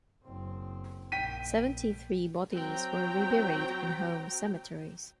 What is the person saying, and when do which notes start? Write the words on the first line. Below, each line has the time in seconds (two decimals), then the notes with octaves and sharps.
Seventy-three bodies were reburied in home cemeteries.
0.23 F#1 C4
1.12 A#1 G5 B6 D#7
2.52 F#3 C4 G5 A#5